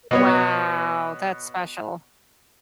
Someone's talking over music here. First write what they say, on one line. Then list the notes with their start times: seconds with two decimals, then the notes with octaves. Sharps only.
Wow, that's special.
0.11 B2 B3 C#5